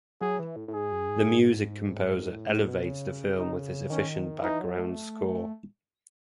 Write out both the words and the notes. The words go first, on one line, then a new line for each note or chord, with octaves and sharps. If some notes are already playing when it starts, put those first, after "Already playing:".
The music composer elevates the film with his efficient background score.
F#3 G#4
E3
A2
A2
G#2 G#4
F#2
G#2
A2
A2
B2
C#3
D#4
D#3 C#4
E3 D#4
F#3
A3